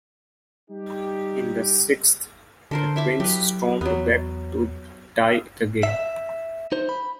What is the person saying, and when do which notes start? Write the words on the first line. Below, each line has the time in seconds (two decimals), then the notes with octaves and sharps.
In the sixth, the Twins stormed back to tie the game.
0.70 G3 D#4 G4
2.71 D3 A4 A#4 C5
2.96 E4 E5 D6
3.20 F#3 G4 B4
3.81 E2 F#3 B3
5.83 E5
6.72 D#4 C5
6.89 B5